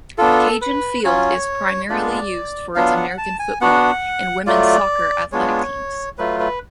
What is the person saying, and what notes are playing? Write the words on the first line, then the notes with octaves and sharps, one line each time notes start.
Cajun Field is primarily used for its American football and women's soccer athletic teams.
B3 D4 F4 A4
B4
F#3 C#4 F4 C#5
G#3 B3 D4 F4 D5
F#3 B3 D4 F4 F5
F#5
A5
G#5
B3 D4 F#4 F#5
F#3 A3 F4 D5
G#3 B3 D4 F4 C#5
F#3 A3 F4 B4
B4